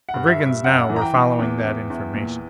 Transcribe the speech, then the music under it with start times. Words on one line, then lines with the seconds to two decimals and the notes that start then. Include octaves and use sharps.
The brigands now were following that information.
0.09 F#5
0.14 G2
0.27 E5
0.40 G2
0.45 E5
0.64 F#2 F#5
0.90 E3
0.96 A#5
1.02 G5
1.14 E3
1.39 E2
1.65 E2
1.90 E2
2.14 A#2